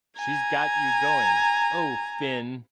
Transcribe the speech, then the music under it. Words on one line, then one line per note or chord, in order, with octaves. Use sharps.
She's got you going — oh, Finn!
G#5 A#5